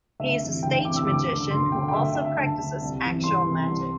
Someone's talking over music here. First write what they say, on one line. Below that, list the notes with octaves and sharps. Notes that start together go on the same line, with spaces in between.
He is a stage magician who also practices actual magic.
D2 E5
C3 E3
D2 G5
G5
C3 E3 D6
E6
D2 D6
D3 D6
D2 C6
D3 G5
G5
D2 E5
D3 E5
D2 A5
D3
C2
C3 E3
C2 C6
C3 E3
C2